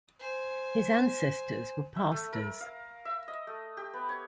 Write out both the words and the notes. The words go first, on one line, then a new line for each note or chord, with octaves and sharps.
His ancestors were pastors.
C5 G#5
E5
A3
A#4
F5
E5
D#5
A3
G4
B3
C#5